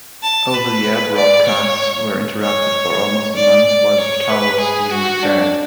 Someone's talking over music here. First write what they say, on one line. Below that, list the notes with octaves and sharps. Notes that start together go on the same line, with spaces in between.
Over-the-air broadcasts were interrupted for almost a month while the tower was being repaired.
A5
B4
D5
C#5
C#5
D5
D5
C#5
B4
G#4
F#4
D4